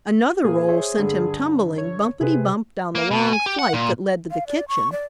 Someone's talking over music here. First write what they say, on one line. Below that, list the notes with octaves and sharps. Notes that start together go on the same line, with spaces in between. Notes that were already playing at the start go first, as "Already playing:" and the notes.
Another roll sent him tumbling bumpety-bump down the long flight that led to the kitchen.
A#2 A#3 G#4
C5 C#5 E5
G2 D3
C#5
C3 G#4 B4
A#3
B2
G#5
G4
F#5
A#2
F5
D5
C#6
D5